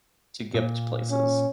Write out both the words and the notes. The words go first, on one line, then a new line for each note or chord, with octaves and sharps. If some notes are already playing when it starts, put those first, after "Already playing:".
to get to places.
A#2
C#4